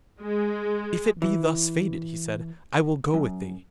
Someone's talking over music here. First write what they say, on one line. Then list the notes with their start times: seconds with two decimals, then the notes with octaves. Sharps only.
'If it be thus fated,' he said, 'I will go with thee.
0.21 G#3
1.22 E3
3.14 F#2